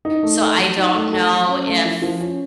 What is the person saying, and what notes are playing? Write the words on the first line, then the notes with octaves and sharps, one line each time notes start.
So, I don't know if
D#4
A3
A4
F#3
D#4
A3
A4
F#3
C#4
A3
F3
F3
C#4